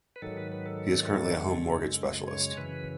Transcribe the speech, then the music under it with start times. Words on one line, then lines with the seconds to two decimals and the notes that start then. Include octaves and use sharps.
He is currently a home mortgage specialist.
0.16 B4
0.22 G#2 D#3 F#3 A4
0.37 B4
0.52 B4
0.66 A4
1.40 F#2 C#3 G#3
2.27 C#5
2.57 F#2 C#3 E3 B4